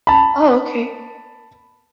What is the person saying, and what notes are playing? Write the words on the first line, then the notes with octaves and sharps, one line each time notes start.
Oh, okay.
A5 B5